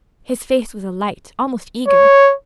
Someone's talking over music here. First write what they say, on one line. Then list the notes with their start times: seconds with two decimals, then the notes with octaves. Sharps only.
His face was alight, almost eager.
1.87 C#5